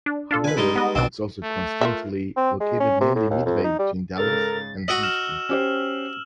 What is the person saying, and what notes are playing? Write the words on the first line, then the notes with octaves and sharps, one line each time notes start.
However, it is also coincidentally located nearly midway between Dallas and Houston.
D4
D4 F4 A4
B4 G#5
G3 G#3 D#4
B3 D#5
B1 B2 C4 D4
A3
F4 A#4 E5
C4
G#3
C#4
C3
A2
D#2
F2
D#4
G3
G#2 C#3 A4 A#4 A6
F#4 D#5 E6 F#7
F6 E7
C#4 G4 C5